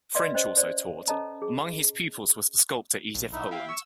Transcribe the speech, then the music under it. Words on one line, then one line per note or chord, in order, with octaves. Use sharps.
French also taught; among his pupils was the sculptor Edith Howland.
B4 D5 D#5 F5 C6
C#4 C5 D#5
C5 D5
C#4 A4 C#5 D#5 A5 A#5
G#4
A#1
D#4 E4
E4 E5 F5 G5
C#6 E6